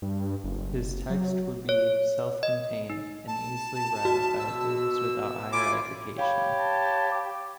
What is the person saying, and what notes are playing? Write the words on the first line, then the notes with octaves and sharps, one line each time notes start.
His text would be self-contained and easily read by those without higher education.
G2
F#1
F#3
C#5
D#5
D#4
A5
D#2 F#4
B2 E6
E4 F4 G#5 D6
G4 C#5 F5 B5
A5
D6